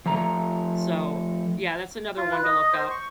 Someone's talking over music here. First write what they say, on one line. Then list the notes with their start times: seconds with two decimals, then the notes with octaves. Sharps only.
So, yeah, that's another one to look up.
0.06 F3 A3 A#5
2.17 F4
2.31 B4
2.44 D#5
2.60 D#5
2.73 C5
2.90 C#6